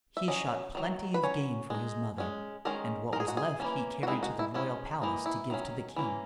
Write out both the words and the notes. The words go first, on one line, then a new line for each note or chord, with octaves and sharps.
He shot plenty of game for his mother and what was left he carried to the royal palace to give to the king.
E5
F#3 C#4 D#5
D#3 F#3
B4
F#3 C#4 C#5
G#3 D#4
G#3 C#4
D#3 G#3 C#4 A#4
G#3 D#4 G#4 A#4
F#4
G#4
E3 A#3 C#4
F#4
D#3 G#3 D#4 E4
F#4
E4
G#3 C#4 E4
E3 A#3 D#4
E4
D#3 F#3 C#4
E3 A#3 C#4